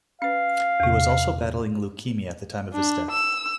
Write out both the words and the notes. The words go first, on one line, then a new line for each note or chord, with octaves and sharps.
He was also battling leukemia at the time of his death.
C#4 B4 F5
E2 C3
D4
E6